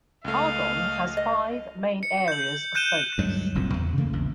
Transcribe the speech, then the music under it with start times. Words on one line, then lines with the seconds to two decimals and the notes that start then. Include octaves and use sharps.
Argonne has five main areas of focus.
0.25 C#2 A3 D#5 F5
1.17 D#5
2.03 C#7
2.28 G6 F#7
2.75 F#6 G6 D#7 E7 G7
3.18 D2 G2 F#3 G#3
3.55 F#1 C2 A#2 C4
3.74 E2
3.97 C#3 E3 A3 A#3
4.13 A#1 E2 G2